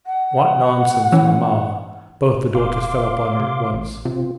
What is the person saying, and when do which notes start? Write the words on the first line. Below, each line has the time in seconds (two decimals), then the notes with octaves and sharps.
"What nonsense, mamma!" both the daughters fell upon her at once.
0.07 F#5
1.12 E3 C#4
2.55 E1 F5 C6 D6
3.39 C3
3.73 A1
4.05 C3 C4 F4